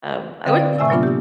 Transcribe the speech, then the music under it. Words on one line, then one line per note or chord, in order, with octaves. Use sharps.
Um, I wouldn't, like,
D3 C4 B4 F5 G5 D#6
D5
A2 C3 A3 E5 G#5 E6
F#3 A#3 B3 D4 F4
G4